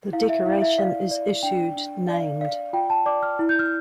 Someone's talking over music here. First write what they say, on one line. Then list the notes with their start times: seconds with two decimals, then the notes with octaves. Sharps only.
The decoration is issued named.
0.13 E4 F5
0.29 E5
0.46 E4 F5
0.62 E5
0.78 D5 F5
1.11 D5
1.43 D4 G5
1.76 D4
2.08 D5 F5
2.41 D5 F5
2.73 F4 G5
2.90 A5
3.06 D5 D6
3.23 F6
3.39 E4
3.49 G6
3.59 F6